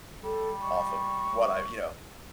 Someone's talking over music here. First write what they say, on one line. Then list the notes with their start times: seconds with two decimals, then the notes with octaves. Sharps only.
Off of what I you know,
0.23 G3 A4
0.62 C#6